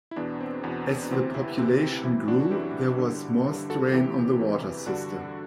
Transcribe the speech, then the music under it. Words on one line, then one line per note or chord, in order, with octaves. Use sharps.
As the population grew there was more strain on the water system.
E4
E2 B2 B3 D4
C4
E2 B2 B3
C4
D4
D2 C3 E3 C4
C4 E4
D2 C3 E3 C4
C4
F#2 E3 C4 E4
D4 F#4
F#4
F#2 E3 E4 G4
G2 D3
G2 D3
F#4 A4
E2 C3 E3 E4 G4
E2 C3 E3
G2 D3 D4 F#4